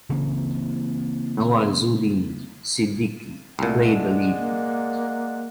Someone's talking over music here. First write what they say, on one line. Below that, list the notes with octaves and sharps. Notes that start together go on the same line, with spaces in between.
Nawazuddin Siddiqui played the lead.
C#3 E3 A#3 C4
C2 A#2 G#3 A3 D5 F#5
A#3